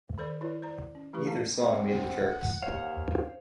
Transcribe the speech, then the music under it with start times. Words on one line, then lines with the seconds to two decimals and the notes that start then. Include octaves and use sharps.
Neither song made the charts.
0.18 D#3 A4 C5 D5 B5
0.41 E4 F4 B4 C#5 D5
0.62 C5 D5 A#5
0.95 C#4
1.13 E3 A3 E4 G4 B4 C#6
1.26 D3 A#3 F5 A5 A#5
1.59 C4 F#5
2.62 D#2 C5 C#5 F5